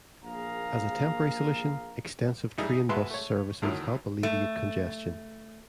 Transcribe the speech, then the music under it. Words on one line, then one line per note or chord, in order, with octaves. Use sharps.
As a temporary solution, extensive train-bus services help alleviate congestion.
A#1 A#3 G#4 F5 A#5
G3 D#4 E4 G#4
B2 G#3 B4 E5 A5 C6
A3 C#5
D2 A2 D#3 F#3
A3